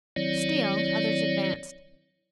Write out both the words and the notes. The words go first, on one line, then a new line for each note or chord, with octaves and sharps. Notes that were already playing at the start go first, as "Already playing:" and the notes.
Still others advanced.
D#3 F#3 C4 E4 C#5 D5